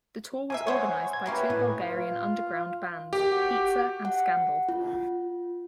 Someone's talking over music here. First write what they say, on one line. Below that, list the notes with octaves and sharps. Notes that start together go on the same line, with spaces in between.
The tour was organized by two Bulgarian underground bands - Pizza and Scandal.
F3 A#3 E5 G#5
C5 C#5 F#5 B5 D#6
G#6
F#3 A#3 C#4 E4 F#4 G4 B4
A2 B3 D#6
F4
D#2 G4
F#4
F#5
F4